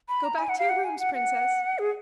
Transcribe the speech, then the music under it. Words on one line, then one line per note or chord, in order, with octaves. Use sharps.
Go back to your rooms, Princess.
B5
A#5
G#5
F#5
F5
F#5
G#5
F#5
F#5
G#4